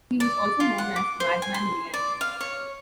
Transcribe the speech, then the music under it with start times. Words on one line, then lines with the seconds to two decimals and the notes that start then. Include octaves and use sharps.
He was also known as Madman Liang.
0.20 D5
0.60 F4
0.78 F#5
0.96 D6
1.20 C5
1.42 G#5
1.54 C6
1.94 D5
2.21 F5
2.41 C#5